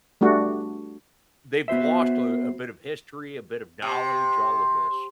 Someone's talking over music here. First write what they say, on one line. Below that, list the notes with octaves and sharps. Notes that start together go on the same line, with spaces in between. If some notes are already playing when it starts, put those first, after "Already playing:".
they've lost a a bit of history, a bit of knowledge, all of this.
G3 A3 D4 F#4
B3 F#4 C5 E5
C3